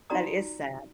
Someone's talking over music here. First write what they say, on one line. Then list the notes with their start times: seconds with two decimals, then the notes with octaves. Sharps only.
That is sad.
0.10 D#4 F4 F#4 D5 A#5 D#6